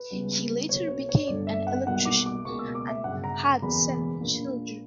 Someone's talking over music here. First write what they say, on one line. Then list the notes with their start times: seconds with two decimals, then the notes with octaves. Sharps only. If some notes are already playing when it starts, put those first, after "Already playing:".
He later became an electrician, and had seven children.
Already playing: B4
0.11 C#2 C#3 G3 B3
0.69 B1 B2 A#3 C#5
0.88 C#5
1.09 C#5
1.27 G1 G2 D3 D5
1.47 E5
1.67 F#5
1.86 B1 B2 G3 A#3 F#5
2.05 D6
2.26 D6
2.45 C#2 B2 A#3 C#6
2.59 E6
2.75 D6
2.88 E5
3.04 G1 F#2 C#3 F#5
3.24 A#5
3.43 A#5
3.62 F#1 E2 B2 A#3 B5
4.21 A#1 A#2 A#3